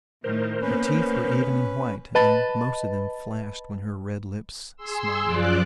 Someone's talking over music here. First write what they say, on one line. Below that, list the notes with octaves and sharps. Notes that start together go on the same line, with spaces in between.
Her teeth were even and white, and most of them flashed when her red lips smiled.
A2 D#3 A#4 C5
A#3 B3 C#4 B4
B4 D#5 A5 B5 A6
G#4 C6 E6
F#2 F3 F4 D5 D6 F#6